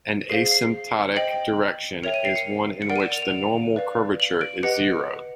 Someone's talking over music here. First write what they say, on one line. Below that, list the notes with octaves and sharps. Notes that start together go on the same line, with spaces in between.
An asymptotic direction is one in which the normal curvature is zero.
G#4 C5 F5 C7
C7
C5 D#5 G5 F#7
A#4 C#5 E5 G5 F7
D#7
C7
C#7
C#7
A#4 D5 F#5 D7
D#7
E7
F7
F7
B4 D5 F5
F#7
D7
G4 B4 D#5 F#5 C#7